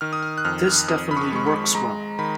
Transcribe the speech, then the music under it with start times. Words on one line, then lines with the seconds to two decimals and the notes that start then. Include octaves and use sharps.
This definitely works well.
0.01 D#3 F6
0.13 D#6
0.23 F6
0.38 F#6
0.45 F2 F6
0.88 F2 D#6
1.11 B5
1.17 C#6
1.32 G#3 C#6
1.47 B5
1.75 G#3 A#5
2.19 D#3 B5